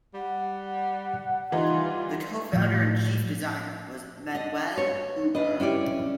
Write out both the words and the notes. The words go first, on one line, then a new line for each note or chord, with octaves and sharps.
The co-founder and chief designer was Manuel Huber.
G3 F#5
E3 G3 D#4 F4
A2 F3
D#5
C#5
C#3 D4 B4 D#5
C#4 E4 G4 D5